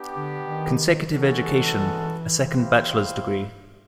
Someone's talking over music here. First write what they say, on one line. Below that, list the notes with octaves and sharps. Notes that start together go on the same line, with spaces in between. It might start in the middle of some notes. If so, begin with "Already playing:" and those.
Consecutive Education: A second bachelor's degree.
Already playing: B3 D4 G4
D3
D#3
E3 G#3 C#4 F#4 A4
E4 G4 C5 F5